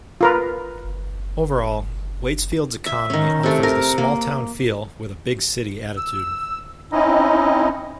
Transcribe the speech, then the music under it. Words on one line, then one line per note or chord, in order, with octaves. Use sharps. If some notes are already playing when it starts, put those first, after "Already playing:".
Overall Waitsfield's economy offers the small town feel with a big city attitude.
F4 A#4 B4
E5
D#3 C#4
C3 A3
A#4
A#3
E6
C4 C#4 D#4 E4 D#5